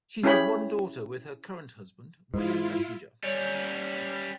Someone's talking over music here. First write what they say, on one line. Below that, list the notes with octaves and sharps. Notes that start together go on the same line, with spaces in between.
She has one daughter with her current husband William Messinger.
C#4 E4 G4 G#4 C#5 B5
G#2 E4 F4
G3 C#4